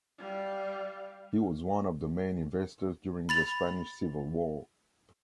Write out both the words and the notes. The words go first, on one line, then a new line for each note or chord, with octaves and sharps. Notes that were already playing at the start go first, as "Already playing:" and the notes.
He was one of the main investors during the Spanish Civil War.
G3 F5
B5 A6 F7